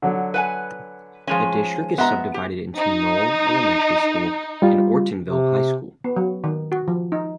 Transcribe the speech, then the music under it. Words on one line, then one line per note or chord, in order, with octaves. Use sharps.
The district is subdivided into Knoll Elementary School and Ortonville High School.
D3 F#3
B4 F#5 G#5
F3 G#3 C#4
G#3 B3 E5 A#5
G4
D#4
G3 F4
C3
B3
F#3
D#3
F#4
F3
D#4